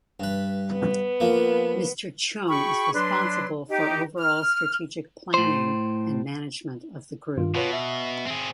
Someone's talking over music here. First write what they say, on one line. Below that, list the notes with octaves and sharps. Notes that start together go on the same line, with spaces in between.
Mr. Cheung is responsible for overall strategic planning and management of the Group.
G2 B4
B3
F3 A#3
F#4 G#4 G5 B5 C#6
F#3 D4 B4 C6
D#4 G4
F6
A2 C5
G2 D#3 F4
B2 F4 B4 C#5
E5
C4 G#4